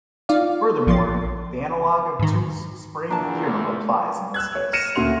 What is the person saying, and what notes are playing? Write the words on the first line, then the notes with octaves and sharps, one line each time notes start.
Furthermore, the analogue of Tutte's spring theorem applies in this case.
D#4 F4 D5 F5
A#1 F3 C6 A6
G#2 D#3
E2 A#2 D4 A5 A#5
E6 F#6 G#6
C#5
F6 A#6 C#7 D#7 E7
D2 A#2 C#4 F#4 C6 F7